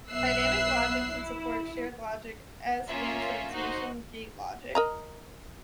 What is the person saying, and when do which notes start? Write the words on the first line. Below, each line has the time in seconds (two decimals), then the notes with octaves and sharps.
Dynamic logic can support shared logic, as can transmission gate logic.
0.11 B1 B3 E5 E6 F#6 C7
1.13 E4
2.88 A#3 C#4 F4 E5 A#5
3.53 D#4 F#4 C5 D#5
4.75 A#4 D#5 A#5